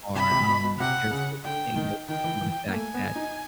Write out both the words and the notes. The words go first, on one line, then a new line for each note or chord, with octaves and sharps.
are, um, they're sort of indicative to the fact that,
C3 B5
C3
B2
B2
C3 F#5
C#3
D3 G5
D#3
D#3 G5
E3
E3
A#3
A3 G#5
B3
D#4